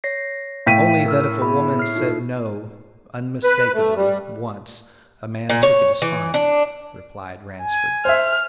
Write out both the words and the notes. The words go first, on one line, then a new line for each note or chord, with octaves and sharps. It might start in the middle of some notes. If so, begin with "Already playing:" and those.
"Only that if a woman said No--unmistakably--once, a man took it as final," replied Ransford.
C#5 A#6 C7
A2 F5 G5 B6 D#7
A#4 E6 F6
B3 G#4 B5
F6 C7
D#4 F4 A4
B4
A3
G3
A#2
C#5
E3
D4
G#5
C5 E5 F6